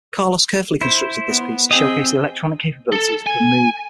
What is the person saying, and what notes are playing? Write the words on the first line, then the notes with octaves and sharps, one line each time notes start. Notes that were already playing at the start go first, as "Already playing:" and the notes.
Carlos carefully constructed this piece to showcase the electronic capabilities of the Moog.
E4 C5
B3
C4 G#4 D#5 G5
A4
G#5